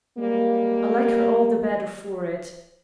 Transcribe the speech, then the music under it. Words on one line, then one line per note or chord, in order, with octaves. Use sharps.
I like her all the better for it.
G3 G#3 A#3